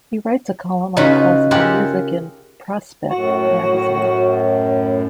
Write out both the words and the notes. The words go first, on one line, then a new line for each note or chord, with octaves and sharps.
He writes a column on classical music in "Prospect" magazine.
C#3 D#4 F4 F#4 B4 B5
F4 G4 G#4 A#4 E5 F#5
F#2 A2 F#4